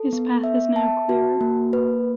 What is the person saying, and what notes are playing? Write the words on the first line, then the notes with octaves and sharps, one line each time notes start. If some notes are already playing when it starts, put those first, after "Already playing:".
His path is now clearer.
Already playing: A4
B3
E5
A5
F#4
A#3
B4